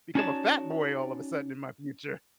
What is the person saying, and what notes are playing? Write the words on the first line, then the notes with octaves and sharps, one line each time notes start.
become a fat boy all of a sudden in my future.
C#4 D#4 F#4 C#5 D5 A5